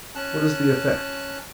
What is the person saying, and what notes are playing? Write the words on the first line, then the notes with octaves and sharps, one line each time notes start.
What is the effect?
C#4 A5 F#6